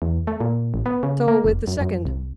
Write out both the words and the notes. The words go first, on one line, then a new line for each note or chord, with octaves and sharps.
So with the second.
E2
A3
A#2
A1
B3
C#3
A#3
F1
F#2
F#2
C2